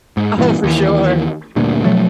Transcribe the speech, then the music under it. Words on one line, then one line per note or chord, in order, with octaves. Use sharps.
Oh, for sure.
G#2
G2 A#2 D3 E3
D#2 E3
D2 G2 A#2
B2 F3 F#3 A3